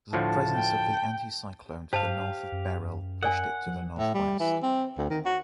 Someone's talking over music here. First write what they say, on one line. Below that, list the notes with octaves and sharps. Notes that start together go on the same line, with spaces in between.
The presence of the anticyclone to the north of Beryl pushed it to the northwest.
D2 A2 F3 A5
G5
G2 G4 C5 F5 A5
F#2
A#4 D5 F#5 G#5
F3
A2
G3
E3
C4
D2
D#3
F#4